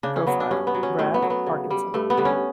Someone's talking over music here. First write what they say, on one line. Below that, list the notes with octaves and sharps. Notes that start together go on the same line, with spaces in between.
Profile: Brad Parkinson.
C#3 D4
C#4
F#3 B3
D4
G2 C#4
B3
F#3
C#4
A2 A3
B3
F#3
B3
C#3
G3
G2 A3
B3
D3 G3
C#4